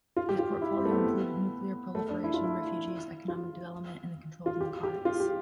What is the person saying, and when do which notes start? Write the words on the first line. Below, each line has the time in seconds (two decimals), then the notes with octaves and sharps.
His portfolio included nuclear proliferation, refugees, economic development, and the control of narcotics.
0.16 F4
0.29 G4
0.39 F4
0.62 E4
0.76 C4
0.85 A3
0.91 B3
1.95 A3
2.09 D4
2.24 E4
2.34 F4
2.44 E4
3.28 F4
4.46 F4
4.61 G4
4.83 G4
5.05 F4
5.20 G4